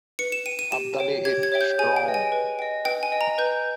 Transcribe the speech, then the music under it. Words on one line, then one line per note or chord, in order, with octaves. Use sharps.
Abdali is strong.
B4 C#7
E7
G5 D#7
D#7
G4 E7
C#5 G5
G4 G#6
G#6
C#5 E5 G5
G6
G#4 G#5
G5
B4 D#5
G#5
B4
D#5 G5
B4 G5
G#5
D#5 G5
A#5
B4 G6